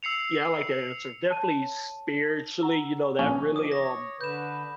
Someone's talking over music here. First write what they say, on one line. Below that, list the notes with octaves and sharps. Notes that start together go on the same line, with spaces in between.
Yeah, I like that answer, definitely spiritually, you know, that really, um
E6 C7 C#7 F7
C#5 A5 D#7
F#5 A#5 E6
A#1 C#4
D#3 F3 D6 D#6
C#5 A#6
D3 B4 G6 E7